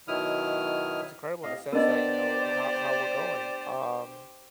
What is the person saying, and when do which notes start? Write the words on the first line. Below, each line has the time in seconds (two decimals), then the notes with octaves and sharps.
It's incredible in a sense that, you know, ho how we're going, um,
0.08 B2 D#3 F#3 E4 D#6 F6
1.43 A2 C3 D#5 F5
1.72 B3 D4 G4 A#4 C5 D5 D#5